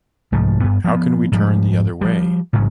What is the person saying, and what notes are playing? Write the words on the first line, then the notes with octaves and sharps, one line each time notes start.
How can we turn the other way?
C2 G#2 F3 A3
G2 B3
F3 B3
G#2 F3 G3
F3 G3
A1 G#2 C#3 F#3